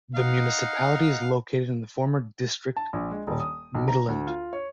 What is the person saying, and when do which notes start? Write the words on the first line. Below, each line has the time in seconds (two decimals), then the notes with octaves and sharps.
The municipality is located in the former District of Mittelland.
0.15 D#4 F5 F#5
2.76 A5
2.93 A#1
3.11 G#3
3.27 D#1
3.40 D#6
3.75 B1
3.88 A#5
4.08 D2
4.27 F4
4.53 C#5